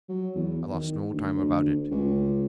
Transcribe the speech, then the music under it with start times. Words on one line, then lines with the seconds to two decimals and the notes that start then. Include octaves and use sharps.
I lost no time about it.
0.09 F#3
0.35 E2
0.71 D#3
1.12 D2
1.37 D2
1.91 C#2